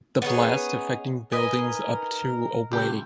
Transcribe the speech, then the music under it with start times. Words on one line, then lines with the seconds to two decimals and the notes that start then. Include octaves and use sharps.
The blast affecting buildings up to away.
0.22 B3 C#4 D#4 G#4
1.32 D#4 A#4 B4 D#5 G#5
2.72 C#2 G4